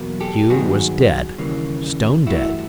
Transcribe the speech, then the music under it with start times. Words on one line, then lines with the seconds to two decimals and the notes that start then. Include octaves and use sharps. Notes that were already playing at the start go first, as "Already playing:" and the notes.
Pew was dead, stone dead.
Already playing: E2 B2 F#3 A#3
0.20 G4 A4
0.50 G2 D#3 F#3 B3 F#4 G#4
1.38 D#2 C#3 E3 G3 A#3
2.26 G2 E3 A3 E4 F#4